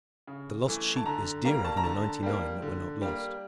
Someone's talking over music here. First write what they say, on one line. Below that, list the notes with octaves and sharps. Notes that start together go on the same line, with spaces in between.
The lost sheep is dearer than ninety-nine that were not lost.
C#3
E3 A3
A5
D3 A#5
G3 A#3 A#5
A5
A#5
D3 A5
G3 A#3
D3
G3 A#3